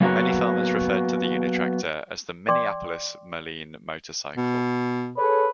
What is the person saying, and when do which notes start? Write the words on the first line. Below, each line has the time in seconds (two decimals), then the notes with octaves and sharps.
Many farmers referred to the Uni-Tractor as the "Minneapolis-Moline Motorcycle".
0.01 F#3 A#3 B3 F#4 A#4 C#5
2.48 D5 G5 C6 D6
4.37 B2
5.17 G#4 A4 B4 C#5